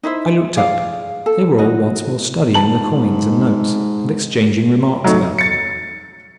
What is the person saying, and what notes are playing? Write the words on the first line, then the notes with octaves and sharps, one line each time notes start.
I looked up: they were all once more studying the coins and notes, and exchanging remarks about them.
D#4 E4 C5 E5
G#4 D5 F5
A4
D#4 F#4 D#5
G#2 A5 F#7
F#3 A3 D#4
A6 C#7